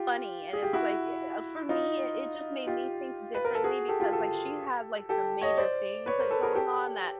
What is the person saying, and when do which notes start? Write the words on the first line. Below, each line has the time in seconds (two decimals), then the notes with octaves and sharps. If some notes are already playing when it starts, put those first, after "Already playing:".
funny, and it's like eh eh, for me i it just made me think differently because, like, she had, like, some major things, like, going on that
Already playing: F4 G4
0.53 G#4
0.63 G4
0.73 E4 F#4
1.69 D#4 F4
2.67 F4 G4
3.34 B4
3.45 A#4
3.55 A4
3.64 F#4 G#4
3.89 G4 A4
4.00 F4 G4
4.12 G4 A4
5.09 G4 A4
5.41 C#5 D#5
5.58 C5 D5
6.06 B4 C#5
6.19 A#4 C5
6.30 A4 B4
6.43 G#4 A#4
6.55 G4 A4